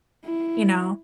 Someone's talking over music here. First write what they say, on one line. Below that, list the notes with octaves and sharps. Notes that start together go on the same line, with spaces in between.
you know,
E4